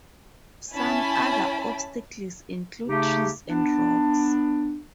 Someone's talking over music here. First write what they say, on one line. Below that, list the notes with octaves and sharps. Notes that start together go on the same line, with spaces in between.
Some other obstacles include trees and rocks.
C#4 E4 G#5 A5 B5
C#3 A3 D#4 G4
B3 D4